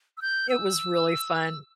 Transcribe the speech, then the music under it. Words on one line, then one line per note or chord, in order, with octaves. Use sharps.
It was really fun.
E6
G6
E6